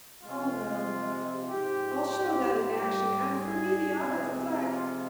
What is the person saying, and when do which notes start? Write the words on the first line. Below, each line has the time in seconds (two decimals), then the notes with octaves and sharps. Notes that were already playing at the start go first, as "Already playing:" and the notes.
Ah well, I'll show that in action, and for me the honor of the flag...
0.22 C3 F3 G#3 F4
1.48 G#2 F3 G#3 G4
2.73 G#2 G3 G4
3.36 G#4
3.99 C3 F3 G#3
4.61 F4